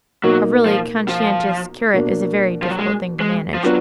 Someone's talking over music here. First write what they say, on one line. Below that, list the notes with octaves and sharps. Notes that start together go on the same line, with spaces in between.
A really conscientious curate is a very difficult thing to manage.
B2 F#3 A#3 D#4
F3
F3
B2 A#3 D4
F3
F#3
G#3
G#3
F3
F#3 B3 D4 F4